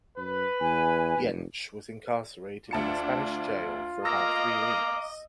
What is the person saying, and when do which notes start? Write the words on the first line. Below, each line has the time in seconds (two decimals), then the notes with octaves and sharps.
Jentzsch was incarcerated in a Spanish jail for about three weeks.
0.18 F#2 B4
0.61 E2 G#5
1.18 F1
2.71 D2 D4 F4 A5 C#7
4.05 D#5 F5 A#5 D6 E6 A#6